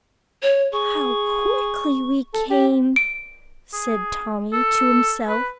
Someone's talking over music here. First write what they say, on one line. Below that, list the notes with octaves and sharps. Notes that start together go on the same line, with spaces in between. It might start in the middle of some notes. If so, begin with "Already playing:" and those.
"How quickly we came," said Tommy to himself.
C#5
G#4 C#6
A4
G4
D7
G#4
A4
B4